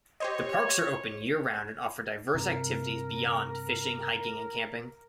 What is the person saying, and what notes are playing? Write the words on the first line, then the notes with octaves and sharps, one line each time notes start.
The parks are open year-round and offer diverse activities beyond fishing, hiking and camping.
G4 C5 C#5 D#5
G2 C3 A#4